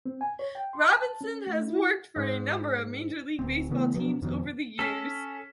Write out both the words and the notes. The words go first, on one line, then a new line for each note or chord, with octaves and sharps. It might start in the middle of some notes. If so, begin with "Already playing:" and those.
Robinson has worked for a number of Major League Baseball teams over the years.
C4
G#5
C#5
G5
C6
A5
C#4
A3
E4
G#2
D1 C4
C#3 E3 A3 B3
B2 F3 F#3 B3
F2 B2 D#3 F3
C#4 A4 B6